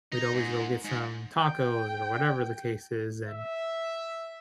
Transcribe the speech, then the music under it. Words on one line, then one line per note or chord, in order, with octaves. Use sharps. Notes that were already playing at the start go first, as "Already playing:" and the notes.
we'd always go get some tacos, or whatever the case is, and,
D#4
G#2
G#2
G5
E5